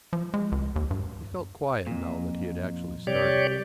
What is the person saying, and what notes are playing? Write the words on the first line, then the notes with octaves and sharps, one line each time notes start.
He felt quiet now that he had actually started.
F3
G#3
C#2
D#2
G2
F2 A#2
C2 G4 C#5 D5